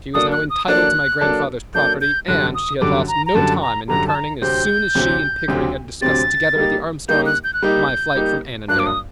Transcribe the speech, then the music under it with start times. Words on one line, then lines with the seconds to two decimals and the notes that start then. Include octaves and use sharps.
She was now entitled to my grandfather’s property and she had lost no time in returning as soon as she and Pickering had discussed together at the Armstrongs’ my flight from Annandale.
0.14 F#3 A#3 D4 A4 D5 D#6
0.32 F#6
0.50 D#6
0.68 F#3 A#3 D4 A4 D5 F#6
1.21 F#3 A#3 D4 A4 D5
1.74 F#3 A#3 D4 A4 D5 G6
2.01 G6
2.28 F#2 D3 G3 F#6
2.55 D#6
2.81 F#2 D3 G3 D6
3.08 A#5
3.26 A#5
3.35 F#2 D3 G3 A5
3.62 A#5
3.88 F#2 D3 G3 A#5
4.08 A5
4.15 A#5
4.41 D2 C3 F#3 C4 G4 G6
4.95 D2 C3 F#3 C4 G4
5.48 D2 C3 F#3 C4 G4
6.01 D2 C3 F#3 C4 G4 A6
6.56 G3 A#3 D#4 G4
7.08 G3 A#3 D#4 G4 G6
7.26 F#6
7.44 G6
7.54 F#6
7.62 G3 A#3 D#4 G4 G6
8.15 G3 A#3 D#4 G4
8.68 G2 F#3 A#3 D4 F#6
8.79 D6
8.86 D#6